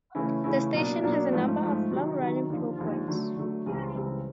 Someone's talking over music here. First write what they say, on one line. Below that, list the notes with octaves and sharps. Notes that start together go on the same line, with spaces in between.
The station has a number of long-running programs.
C#3 E3 A3 C#4 E4
C#3 E3 A3 C#4 E4
B2 F#3 A#3 D4
B2 F#3 A#3 D4
G#2 F3 A3
G#2 F3 A3
C3 D#3 F#3
C3 D#3 F#3
D#2 D3 F3
D#2 D3 F3
D3 F#3 A3
D3 F#3 A3
C#2 C#3 E3 G3 C4
C#2 C#3 E3 G3 C4